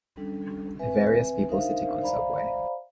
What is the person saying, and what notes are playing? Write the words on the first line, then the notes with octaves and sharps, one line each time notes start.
Various people sitting on a subway.
G3 C#4 D4 A4
C4 B4 E5 G#5
D4 D#4 A#4 C5 E5 F5
C5 D5 E5 F5 A#5 B5